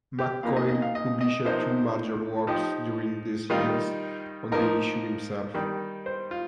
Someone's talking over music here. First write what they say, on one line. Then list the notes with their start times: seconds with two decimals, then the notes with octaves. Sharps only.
MacColl published two major works during these years on the issue himself.
0.19 G4
0.43 A#2 F3 A#3 D#4 F5
0.56 D#5
0.69 D#5
0.82 F5
0.95 D#5
1.21 D#5
1.45 C3 F3 A#3 D#4 C5
2.47 F3 D#4 G4
3.50 D#3 G3 D#4 F4
4.52 F3 A#3 D#4 A#4
5.54 D#3 G3 D#4
6.06 C5
6.31 F4